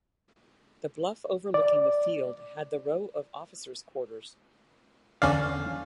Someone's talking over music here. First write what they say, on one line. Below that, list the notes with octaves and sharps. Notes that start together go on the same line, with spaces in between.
The bluff overlooking the field had the row of officer's quarters.
D5
E2 D3 C#4 D5 F5